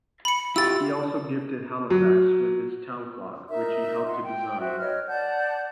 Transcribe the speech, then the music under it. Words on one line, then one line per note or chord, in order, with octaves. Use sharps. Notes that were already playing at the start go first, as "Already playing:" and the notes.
He also gifted Halifax with its Town Clock, which he helped to design.
B5 C#7
E4 F4 G4 E6 A6
F#3
D#4 A#4 E5
D#5 E5 F#5 C6
G5
F#4 C5 E5
B4 C#5 D#5 F6
D5 F#5 A5 G6